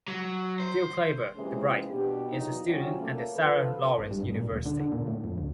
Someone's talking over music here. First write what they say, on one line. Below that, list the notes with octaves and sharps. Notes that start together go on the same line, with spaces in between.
Jill Clayburgh, the bride, is a student at the Sarah Lawrence University.
F#3
C5
C3 E3 F3 G#3 A#3 C#4
B2 B3 D4 G4
E2 A#2 F#3 D#4
C3 F#3 G3 C#4 F4 F#4
A3 A#3
D3 F3 F4 A4 B4
G#1
G2
G#1
A#2
D#1
D3
D3
A#2
A2
F2
D2